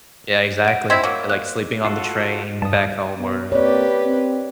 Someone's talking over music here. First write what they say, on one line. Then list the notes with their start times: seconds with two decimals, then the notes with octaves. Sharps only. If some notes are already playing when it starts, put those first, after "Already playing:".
Yeah, exactly, it like sleeping on the train back home or
0.65 F#5 D7
0.90 C4 E4 D#5 G#6 B6
1.04 F#3 A#3
1.30 F#6
1.85 F4 F#4 A4
2.62 G2 A5 D#6
3.18 B2 B3
3.52 A#3 C4 G4 B4 C#5 D5
4.05 C4